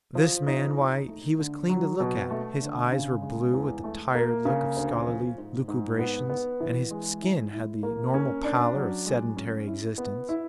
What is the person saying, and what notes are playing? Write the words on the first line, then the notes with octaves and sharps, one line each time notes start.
This man--why, he was clean to look at, his eyes were blue, with the tired look of scholarly lucubrations, and his skin had the normal pallor of sedentary existence.
F3
D#4
D#4
A3
D3
F#3
B2
A3
D3
C#3
G#3
E2
A3
A#3
C#3
D2
F3
G#2
G#2
B3
B3
E3
G#3
E4
E4
A#3
C#4
D4
F#3
G#3
C#4
E4
B3
E4